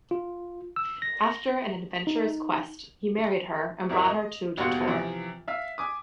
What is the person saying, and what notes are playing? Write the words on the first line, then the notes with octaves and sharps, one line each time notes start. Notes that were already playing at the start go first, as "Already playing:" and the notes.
After an adventurous quest, he married her and brought her to Chittor.
F4
E6
A#6
D#4
G#1 F2 E4 A#4 E5
D#5
E1 D#2 B2 F5 F#5 C6
C3 E3 F3
E5 F5 B6
G#5 D6 D#6